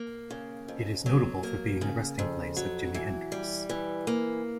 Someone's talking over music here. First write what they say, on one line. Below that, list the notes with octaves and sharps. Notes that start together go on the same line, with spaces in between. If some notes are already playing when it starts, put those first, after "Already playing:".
It is notable for being the resting place of Jimi Hendrix.
Already playing: A#3
C#3
F2
F#3
A#3
C#3
F2
F#3
E3
G3
E3
A#3